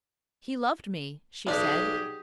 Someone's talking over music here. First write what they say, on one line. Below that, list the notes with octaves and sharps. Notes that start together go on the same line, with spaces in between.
"He loved me," she said.
B1 D4 G4 G#4